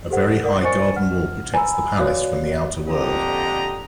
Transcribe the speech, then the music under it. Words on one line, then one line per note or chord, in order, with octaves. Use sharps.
A very high garden wall protects the palace from the outer world.
G4 A4 C5 F#5
A#4 D5 F#5
C5 D#5 G#5 C#6 A6 C#7
F#5 F6
G#5 A#5 B5 E6
F#4 C#5 D5 F5 F#6
F2 A#2 D3 G4 D#5 A#5